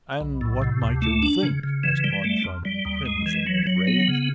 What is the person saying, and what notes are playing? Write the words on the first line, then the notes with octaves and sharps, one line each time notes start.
"And what might you think?" asked Moncharmin, crimson with rage.
B1
A2
C3
D2
A3
D4
C#3
C#3
E3
G3
A3
F2
G3
D#2
G#3
E3
F#3
F#3
B3
C#3